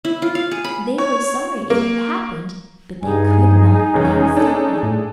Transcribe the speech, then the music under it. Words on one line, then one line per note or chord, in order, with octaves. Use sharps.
They were sorry it had happened, but they could not blame Sylvia.
E4
F4
F5
G#4
B5
C#5
A#3
G2 D#4 G#4 G#5
F1 E2 C#3 C#4
D4 A4
A2